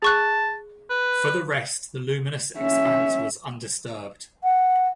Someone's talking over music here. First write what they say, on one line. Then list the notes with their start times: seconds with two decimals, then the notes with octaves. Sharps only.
For the rest the luminous expanse was undisturbed.
0.02 G#4 A5 C#6 F#6
0.90 B4
2.59 C#4 E5
4.44 F#5